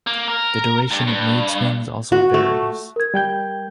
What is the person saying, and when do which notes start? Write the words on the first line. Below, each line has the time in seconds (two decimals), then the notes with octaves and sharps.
The duration of mood swings also varies.
0.07 A#3
0.28 A#4
0.91 G2
1.07 G2
2.12 F#4
2.34 A3
2.96 A#4 G#6
3.14 G3 G5 G6